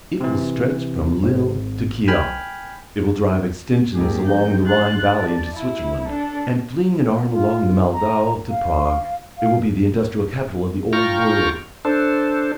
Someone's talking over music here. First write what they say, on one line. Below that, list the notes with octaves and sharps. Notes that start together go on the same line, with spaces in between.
It will stretch from Lille to Kiel, it will drive extensions along the Rhine valley into Switzerland, and fling an arm along the Moldau to Prague, it will be the industrial capital of the old world.
C3 E3
G#1
G5 G#5 B5 F6
D#2 G#2 G#3 G4 G#4
F2 D#3 G6
C6 F#6 A6
D5 A5
E4
D4 A4
F4
A#5
F5
F5
F4 G5 A#5 C#6 F6
D4 A4 C5